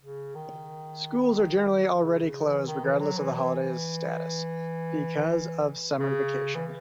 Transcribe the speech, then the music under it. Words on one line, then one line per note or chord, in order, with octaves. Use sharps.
Schools are generally already closed, regardless of the holiday's status, because of summer vacation.
C#3
D#3
C#3
C#3
E3
D#3
E3
F#3
E3
E3
C#3
E3